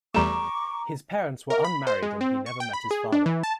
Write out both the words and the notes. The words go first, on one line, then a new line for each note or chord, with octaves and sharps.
His parents were unmarried and he never met his father.
E2 G3 A3 A#5 C#6 D6 E7
A#4
B5
C5
G#3
C4
C#6
G5
B5
G#4
D4
E3
A5